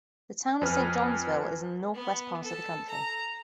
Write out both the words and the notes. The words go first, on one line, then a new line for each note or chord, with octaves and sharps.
The Town of Saint Johnsville is in the northwest part of the county.
F2 B4 G#5 F6
B3
A4
A#5